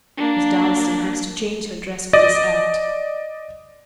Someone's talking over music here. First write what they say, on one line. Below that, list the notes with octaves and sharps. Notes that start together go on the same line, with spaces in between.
"Miss Dalstan has to change her dress for this act."
A#3 D4
D5 D#5 D#6